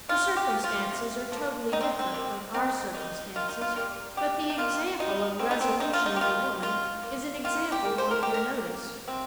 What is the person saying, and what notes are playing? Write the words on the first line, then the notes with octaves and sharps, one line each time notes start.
The circumstances are totally different from our circumstances; but the example of resolution in a woman is an example worth your notice.
C3 F4
G4
F3 A#3
F4
C3
F3 A#3
D#3 D#4
C4
C4
G3 A#3
D#3 C4
A#3 D#4
D#3 F4
D#4
F4
G3 A#3 A#4
C3 G4
D#4
D#3 G3 A#3 F4
C3 D#4
F3 A#3 C4
D#4
C4
C3 D#4
F4
D#4
G4
D#3 G3 F4
D#3 F4
A#3
D#3 F4
G4
A#3
C5
A#4
D#3 G4
A#4
A#3
C3 C4